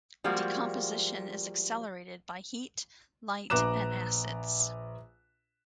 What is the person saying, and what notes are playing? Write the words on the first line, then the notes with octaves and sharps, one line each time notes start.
Decomposition is accelerated by heat, light, and acids.
F3 G3 G#3 A#3 F#4
A#1 B4 A#5 D6 F#6 E7